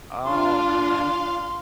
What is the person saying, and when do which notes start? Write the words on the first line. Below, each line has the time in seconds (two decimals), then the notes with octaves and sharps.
Oh, man.
0.25 D4 F4 F5 C6